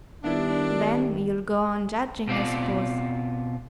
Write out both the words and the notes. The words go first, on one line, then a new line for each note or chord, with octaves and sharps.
"Then you'll go on judging, I suppose."
D#3 G3 B3 D4 E4
B2 C4 F4 D5